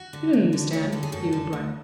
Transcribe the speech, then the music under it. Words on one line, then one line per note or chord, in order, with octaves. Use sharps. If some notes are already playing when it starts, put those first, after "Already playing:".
"You don't understand," he replied.
Already playing: F#4
D3
D2
D3
D2 C#5
D3 A4
G#4
F#2 A4
D3
D2